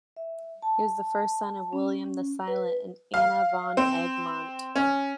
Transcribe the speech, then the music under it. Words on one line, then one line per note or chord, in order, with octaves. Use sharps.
He was the first son of William the Silent and Anna van Egmont.
E5
A5
C#4
B4
F5
C4
C#4